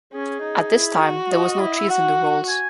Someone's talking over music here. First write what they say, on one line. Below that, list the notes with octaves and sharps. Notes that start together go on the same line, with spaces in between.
At this time, there was no cheese in the rolls.
C#4 G#4
D#4
E4
F#4
D#5
E4
E5
F#4 F#5
G#5